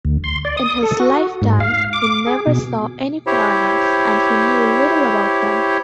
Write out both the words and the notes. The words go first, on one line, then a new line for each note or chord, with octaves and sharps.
In his lifetime he never saw any foreigners and he knew little about them.
D2
C6
D5
D#6
A4
F#4
G#2
F5
D6
G#4
B2
E4 G4 C5 C#5